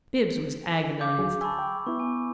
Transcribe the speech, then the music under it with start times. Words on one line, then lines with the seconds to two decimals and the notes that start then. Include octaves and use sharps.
Bibbs was agonized.
1.01 F5 D6 G6
1.19 D2 F#3 G#4
1.41 G#5 A5 B5 C#6 E6
1.59 G5
1.87 B3 E4 C#6
1.99 G#5